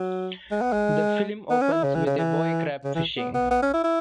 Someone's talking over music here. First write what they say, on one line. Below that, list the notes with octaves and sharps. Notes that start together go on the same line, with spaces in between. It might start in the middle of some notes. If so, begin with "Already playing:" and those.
The film opens with a boy crab fishing.
Already playing: F#3
G#3
B3
G#3
B3
C#4
E4
C#3
E3
C#3
E3
C#3
E3
B3
B3
B3
C#4
E4
E4